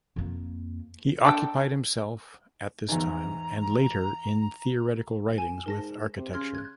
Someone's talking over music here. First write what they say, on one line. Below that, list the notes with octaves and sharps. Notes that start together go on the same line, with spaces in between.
He occupied himself at this time and later in theoretical writings with architecture.
F2 A#3
D4 A4 G5
E2 G#2 A#5
G#5 E7
G#2 A#4 A5 A#6
C3
C#3 C6 F6 G#6
F#6 G#6